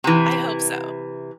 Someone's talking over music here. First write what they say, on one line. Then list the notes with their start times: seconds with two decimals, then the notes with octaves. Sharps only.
I hope so.
0.04 C3 E3